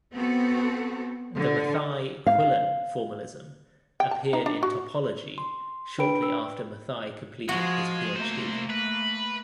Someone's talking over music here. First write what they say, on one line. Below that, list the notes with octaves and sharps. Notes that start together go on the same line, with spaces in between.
The Mathai-Quillen formalism appeared in Topology shortly after Mathai completed his PhD.
B3 C4 F#4 A4
D3
F5
G5
A5
D#4
D4
F#4
C6
D4 B4 G5 B5 D7
E6
F3 G#3 F4 F#4
C2 A3 A#3 C5
B4